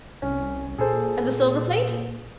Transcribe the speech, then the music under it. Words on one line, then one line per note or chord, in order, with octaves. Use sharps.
"And the silver plate?"
C2 C#4
A#2 G#4 A4 C5